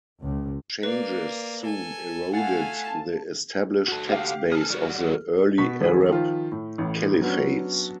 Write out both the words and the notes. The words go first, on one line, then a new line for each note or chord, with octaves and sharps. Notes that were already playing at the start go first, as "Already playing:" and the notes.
Changes soon eroded the established tax base of the early Arab Caliphates.
C#2
A#3 B4 D5
A4 G#5
A3 F5 F#5 G#5 A6
A5
F#4 A4
G4 F5
G#4 A4 F6
G3 F#4
B2 C#6 B6
D#1 A#1 F#4 G#4 B4
D#3 F3 F4
A2
A1 A2
F#3 B3 C#4 D4